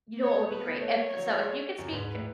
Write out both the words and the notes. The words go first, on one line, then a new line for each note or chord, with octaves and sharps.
you know what would be great? If so if you could speak
B3 C#5
A3
B4
B3
A3 C#5
F#3
G#3
F#2
G#2 B4
A2